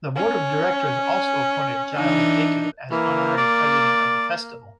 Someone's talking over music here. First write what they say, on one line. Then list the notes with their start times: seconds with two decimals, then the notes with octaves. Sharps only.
The board of directors also appointed Gilles Jacob as Honorary President of the Festival.
0.16 C#4
1.96 E3 D4 D#4
2.91 E3 A#3
3.38 D5